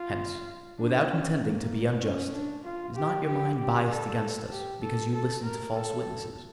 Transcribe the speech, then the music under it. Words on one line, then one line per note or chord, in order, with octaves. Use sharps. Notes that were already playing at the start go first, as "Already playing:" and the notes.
Hence, without intending to be unjust, is not your mind biased against us because you listened to false witnesses?
Already playing: F4
D4
C#4
A#3
C#4
D4
F4
G4
G4
G4
A4
G4
A4
A4
A#4
A4